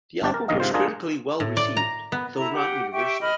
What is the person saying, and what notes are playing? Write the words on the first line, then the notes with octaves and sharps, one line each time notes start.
The album was critically well-received, though not universally.
G1 D4 G4 A5
A#4
A#1 G2 D#3 D#4 D#5 F5
G#2 C3 F4 C5
D4 F4 G#4 A#4
A2
D5
A#5
B3
E4 A4 A#5
G4 F#5
G4 E5 G5 C#6
D#5 B5 F6